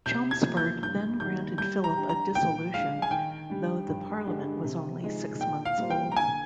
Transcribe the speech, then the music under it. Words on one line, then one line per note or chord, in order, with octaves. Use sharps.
Chelmsford then granted Philp a dissolution, though the parliament was only six months old.
C3 G6
G#6
F3 A#3
G6
G2 G6
D#3 G3 A#3 G6
G3 G6
A#5
D4 G4
A#5
A#2 G5
G#3 D4 F5
G#5
D#3 G5
G3 D4
G2
D3 G#3 D4 G4
C3
F3 G#3 D#4
A#2 G5
F5
G3 A#3 F4 C5
G5
A#5
D3 G#5